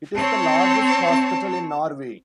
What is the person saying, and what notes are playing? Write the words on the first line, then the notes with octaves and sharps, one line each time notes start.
It is the largest hospital in Norway.
C4 C#5 A5